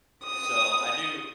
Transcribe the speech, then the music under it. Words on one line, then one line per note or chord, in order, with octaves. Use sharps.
So, I do
D#6